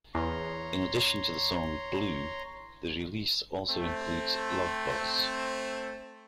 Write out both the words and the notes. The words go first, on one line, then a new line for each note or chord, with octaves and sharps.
In addition to the song "Blew", the release also includes "Love Buzz".
E2 C#5 A#5 C6
A3 C4